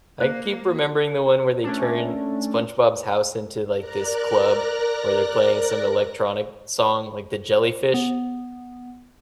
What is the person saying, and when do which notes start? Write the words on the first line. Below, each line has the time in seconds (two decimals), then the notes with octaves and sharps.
I keep remembering the one where they turned SpongeBob's house into, like, this club, where they're playing some electronic song, like, the jellyfish
0.20 A#3 C5
1.63 A3 C#4 D4
3.77 A#4 D5 A#5 F#6 A#6
7.94 B3